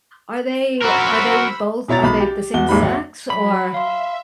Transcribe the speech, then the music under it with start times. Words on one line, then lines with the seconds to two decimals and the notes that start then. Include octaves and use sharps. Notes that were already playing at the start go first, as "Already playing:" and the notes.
Are they are they both are they the same sex? Or
0.82 F#4 A#4 C5 B5 E6
1.88 B2 E4 C#5 A#5 A6
2.03 B1 B5
2.20 G4
2.54 E2 F#4 G7
2.69 A1 D#2 G#2 G3 B5
2.82 F#1 F#3 F#5
3.30 F#3 B5
3.74 E5 F5 C6